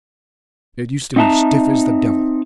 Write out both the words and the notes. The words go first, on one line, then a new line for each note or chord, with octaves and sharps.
It used to be stiff as the devil.
C4 D#4 E5 F#5 A5 A#5